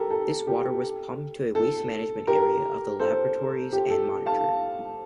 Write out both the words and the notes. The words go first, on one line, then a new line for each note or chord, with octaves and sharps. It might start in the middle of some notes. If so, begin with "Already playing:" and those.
This water was pumped to a waste management area of the Laboratories and monitored.
Already playing: G4 A4 A#4
A4
G4
A4
G4 A#4
A4 C5
G4
A4
F5 A5